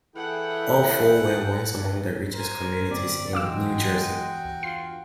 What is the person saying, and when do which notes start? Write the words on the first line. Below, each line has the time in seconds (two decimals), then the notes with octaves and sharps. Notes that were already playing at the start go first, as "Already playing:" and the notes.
All four were once among the richest communities in New Jersey.
0.16 E3 E4 G#4 A4 F#5 G5
2.34 A#4 C5 G#5
2.91 G1 F#2 C4 D5
3.33 E2 G2 G#3 F#4 F5 G5 D6 E6
4.63 F4 C7